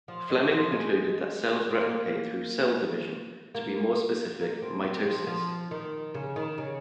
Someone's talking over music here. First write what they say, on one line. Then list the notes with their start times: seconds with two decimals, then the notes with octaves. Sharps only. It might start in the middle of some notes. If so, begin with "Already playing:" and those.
Flemming concluded that cells replicate through cell division, to be more specific mitosis.
0.08 F3
0.30 G#3
0.51 F3
0.72 G#3
1.70 C4
1.81 A#3
3.55 A#3
4.41 A#3
4.62 C4
4.84 C4
5.05 F3
5.27 F3
5.71 D#3
6.14 C#3
6.36 D#3
6.58 C#3